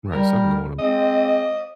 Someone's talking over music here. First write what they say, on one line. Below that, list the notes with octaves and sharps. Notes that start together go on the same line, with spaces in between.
Right, something going on.
G3 A#4
G#3 C4 D#5